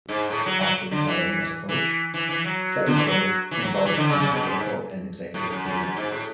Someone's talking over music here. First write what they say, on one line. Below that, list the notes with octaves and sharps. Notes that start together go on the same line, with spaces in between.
After retiring as a coach, Fetisov embarked on a political and executive career.
G#2
A2
F#3
F#3
D3
E3
E3
E3
E3
F#3
D3
E3
F#3
E3
F#3
F#3
E3
D3
C#3
C#3
B2
F#2
G#2
A2
F#2
F#2
F#2
G#2
A2